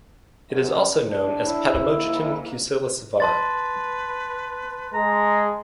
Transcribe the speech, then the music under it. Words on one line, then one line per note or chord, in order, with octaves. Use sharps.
It is also known as Potamogeton pusillus var.
F#2
A2 D4
E4
G#2 A#3
B4 A5 C6 A6
G#3 A#5